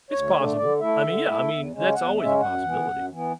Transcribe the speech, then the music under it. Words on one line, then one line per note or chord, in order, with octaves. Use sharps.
It's possible. I mean, yeah, I mean, that's always a possibility.
D2 C#5
D3 A3 D4
D3 D5
A3 E4 E5
D3
A3 E4
E2
C#3 G#3 C#4
E2 F#5
C#3 G#3 C#4 E5
F#2 F#5
E3 B3
F#2
E3 B3